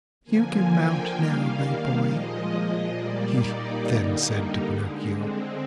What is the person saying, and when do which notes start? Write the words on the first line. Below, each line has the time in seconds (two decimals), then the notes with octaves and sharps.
"You can mount now, my boy," he then said to Pinocchio.
0.24 D3 F3 A#3 G#5
0.70 G5
1.13 D#3 G3 A#3 F5
1.58 F5
2.03 A#2 F3 G#3 D#5
2.91 A#2 G3 A#3 D5
3.36 D#4
3.80 D3 G3 A#3 D#4
4.24 D#4
4.69 D3 G#3
5.13 C4